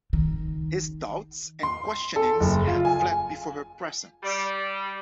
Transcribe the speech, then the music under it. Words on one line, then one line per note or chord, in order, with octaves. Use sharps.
His doubts and questionings had fled before her presence.
D#3
C6
A4
F#1
F4
G#5
G3